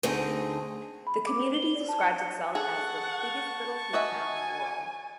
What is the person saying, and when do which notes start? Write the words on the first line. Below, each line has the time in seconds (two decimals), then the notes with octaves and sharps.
The community describes itself as the "Biggest Little Haytown in the World".
0.03 D2 D3 A3 C4 D#4 G#4
1.07 B5
1.27 D6
1.41 C5
1.54 G7
1.75 D5
1.89 A5
2.01 C#7
2.55 G#4 A4 F#5 A5 C#6
3.93 F#4 D#5 E5 G#5